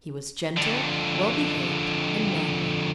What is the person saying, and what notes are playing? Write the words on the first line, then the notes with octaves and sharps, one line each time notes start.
He was gentle, well-behaved, and manly.
F2 D3